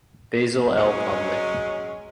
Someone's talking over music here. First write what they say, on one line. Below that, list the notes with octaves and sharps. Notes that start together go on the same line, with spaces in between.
Basil L. Plumley.
F#3 G#3 C#4